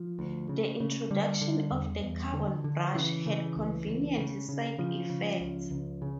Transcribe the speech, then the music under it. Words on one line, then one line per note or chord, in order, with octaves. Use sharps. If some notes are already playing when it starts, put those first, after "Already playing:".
The introduction of the carbon brush had convenient side effects.
Already playing: F3
D2
C#3
C#3
D3 G3
D3
E2
E2
D3
D3
C#3 E3
C#3
C#2
C#2
C#3
C#3
C#3 F3
C#3
C#2
C#2
C#3